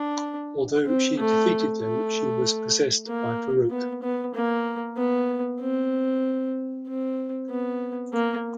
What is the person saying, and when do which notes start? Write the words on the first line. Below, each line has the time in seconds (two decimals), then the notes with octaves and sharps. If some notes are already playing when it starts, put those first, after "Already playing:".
Although she defeated them, she was possessed by Farouk.
Already playing: D4
0.86 C4
1.18 A3
1.81 A3
3.07 A#3
3.71 B3
4.02 B3
4.34 A#3
4.97 B3
5.60 C4
6.87 C4
7.50 B3
8.13 A#3